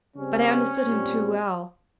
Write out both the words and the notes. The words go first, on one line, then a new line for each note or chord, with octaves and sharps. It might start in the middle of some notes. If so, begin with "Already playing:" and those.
But I understood him too well.
C#3 G3 C4 C#4
A#2 G3 C4